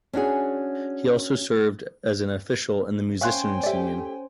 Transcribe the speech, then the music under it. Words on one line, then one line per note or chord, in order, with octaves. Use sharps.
He also served as an official in the Musicians' Union.
C#4 D4 F#4 G#4
C#4 C5 E5 F5 G5 G#5 F#6
A3 G4 D5 E5